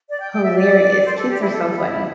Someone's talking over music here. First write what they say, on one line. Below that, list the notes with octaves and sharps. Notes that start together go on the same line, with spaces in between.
Hilarious, kids are so funny.
D5
G5
G5
E5
D5
C5
A4
G4
E4
A4
G4
E4